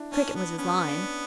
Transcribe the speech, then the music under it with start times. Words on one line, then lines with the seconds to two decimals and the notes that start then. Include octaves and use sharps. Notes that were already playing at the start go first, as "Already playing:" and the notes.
Cricket was his line.
Already playing: D4 E4
0.12 C#4 D4
0.35 B3
0.58 B3 C#4
0.88 D4